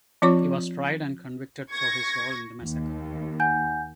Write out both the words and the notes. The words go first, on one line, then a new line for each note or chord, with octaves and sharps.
He was tried and convicted for his role in the massacre.
F3 C4 F4 C#5 C#6 D6
C#6 G#6 A#6
D#2
F#5 G#5 G6